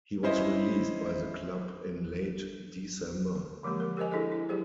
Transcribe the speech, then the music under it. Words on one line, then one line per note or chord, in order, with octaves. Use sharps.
He was released by the club in late December.
C#4 E4 C5 D#5 B5
D3 F3 G#3 A#3 G4
A#4
G4 A#4 C5 D#5 G#5
D4 E4 G#4 A4 D#5
E4
F#3 G4 G#4 C5